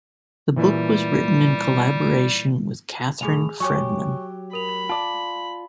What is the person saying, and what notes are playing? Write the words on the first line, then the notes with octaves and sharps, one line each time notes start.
The book was written in collaboration with Catherine Fredman.
A#2 E3 G3
C2 A2 G#4 G#5 F7
F#3 G4 C#5 G#5 C#6
A#4 B5 F7
F4 D5 A5